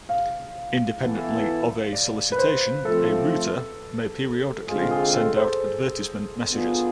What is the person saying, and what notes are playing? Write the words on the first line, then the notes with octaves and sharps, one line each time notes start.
Independently of a solicitation, a router may periodically send out advertisement messages.
F5
E3 B3 E4 A4
D5
B4
C5
F3 A3 C4 A4
D3 G#3 C4 F4 G#4
G#4
A4
C5
B3 D4 F4 G#4